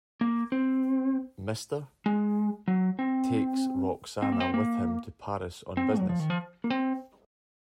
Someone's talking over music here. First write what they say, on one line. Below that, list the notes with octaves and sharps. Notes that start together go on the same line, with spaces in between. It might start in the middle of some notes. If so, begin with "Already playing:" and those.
Mr. -- takes Roxana with him to Paris on business.
A#3
C4
G#3
F#3
C4
C4
A#3
C4
A#3
C4
F#3
F3
D#3
F3
A#3
C4